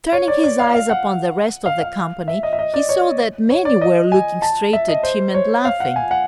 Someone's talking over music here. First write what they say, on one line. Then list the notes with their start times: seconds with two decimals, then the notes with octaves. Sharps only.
Turning his eyes upon the rest of the company, he saw that many were looking straight at him and laughing.
0.13 C#5
0.28 D5
0.44 D5
0.59 F5
0.74 F5
0.90 F#5
1.66 F5
1.81 F5
2.28 E5
2.43 D#5
2.53 E5
2.59 D#5
2.74 D5
2.89 C#5
3.50 C#5
3.65 D5
3.81 D#5
4.12 G#5
4.42 A5
4.73 E5
4.88 D#5
5.03 C5
5.34 C#5
5.65 F5
5.80 F#5
5.96 G#5
6.11 F#5